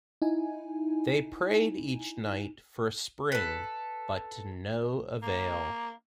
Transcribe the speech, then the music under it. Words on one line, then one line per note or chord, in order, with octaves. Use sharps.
They prayed each night for a spring, but to no avail.
D#4 E4 G#5
A4 B4
A#3